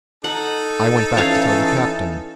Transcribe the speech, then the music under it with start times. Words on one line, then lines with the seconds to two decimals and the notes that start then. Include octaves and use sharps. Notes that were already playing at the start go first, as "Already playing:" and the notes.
I went back to tell the captain.
0.24 D#4 A4 F#5
1.17 E3 C#4 E4 C#5 F5